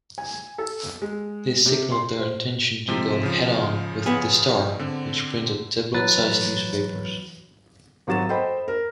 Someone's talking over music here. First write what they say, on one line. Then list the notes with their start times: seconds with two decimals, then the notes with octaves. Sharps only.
This signalled their intention to go head-on with The Star which printed tabloid-sized newspapers.
0.18 G#5
0.58 A4
1.02 G#3
1.66 C3
1.92 C6
2.19 C5
2.88 C3 F3 G#3
3.23 C#3 F3
4.06 B3 G#4
4.79 D3 C4
5.94 E3 F#3 B4 A6
8.07 G#1 F#3 F#4 A6 E7
8.29 A4 C5 D#5 G5 B5
8.68 A#4